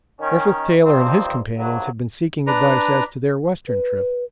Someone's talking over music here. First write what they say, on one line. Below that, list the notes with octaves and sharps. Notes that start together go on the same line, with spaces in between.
Griffith Taylor and his companions have been seeking advice as to their Western trip.
D#3 C#4
G2 F3 C4 D#4
A#1 G2 F#3
D4 B4 A#5
B4